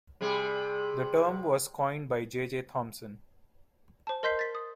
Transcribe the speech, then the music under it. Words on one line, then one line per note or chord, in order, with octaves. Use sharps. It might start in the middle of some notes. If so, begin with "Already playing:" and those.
The term was coined by J. J. Thomson.
C3 G3 G#4
C5 A5
A#4 D#5 C6 G6 B6 C7
A6 B6
D#6